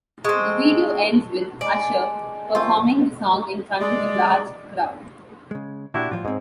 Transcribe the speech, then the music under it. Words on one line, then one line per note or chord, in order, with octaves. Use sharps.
The video ends with Usher performing the song in front of a large crowd.
G#3 C4 A4 A5 C#6
G#3 D5
A3 C4 F4 A#4
G#3 D5
C#3 G#3
A#2 D4 E4 F#4 G4
A2 F3 G3 F4
G#2 C4 C#5 D#5